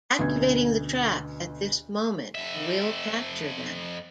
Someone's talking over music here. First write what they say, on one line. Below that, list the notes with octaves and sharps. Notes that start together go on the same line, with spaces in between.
Activating the trap at this moment will capture them.
D2 B2 C#4 G#6
F2 E5